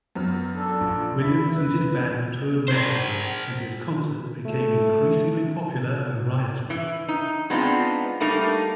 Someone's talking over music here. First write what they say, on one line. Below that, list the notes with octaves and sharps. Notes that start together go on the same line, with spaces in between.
Williams and his band toured nationally, and his concerts became increasingly popular and riotous.
F#2 B3 F6
D4 A4
A#1
F1 E4 E5
B4
A#4 C5
A3
E3
D#4
G#3 B3 C4 D4 D#4 F4
G3 A3 A#3 D#4